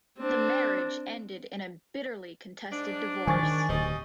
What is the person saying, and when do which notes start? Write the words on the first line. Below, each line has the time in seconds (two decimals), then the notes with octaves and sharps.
The marriage ended in a bitterly contested divorce.
0.17 C4 D4
2.71 G#2 D4
3.27 D#3 F3 F#3 G#5 C#6 A6
3.43 D#3
3.69 D1 G3 D#5